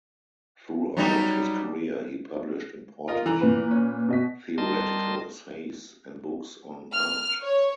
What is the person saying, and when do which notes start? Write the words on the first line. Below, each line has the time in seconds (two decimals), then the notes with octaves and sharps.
Throughout his career he published important theoretical essays and books on art.
0.97 F#3 G3 D#4
3.08 F4 A#4 D#5
3.26 E3 A#5
3.41 A#2 B4
3.71 C#4
4.08 B2 D#5 B6
4.58 G3 A#4 D#5 A5 C6
6.94 F6
7.42 C#5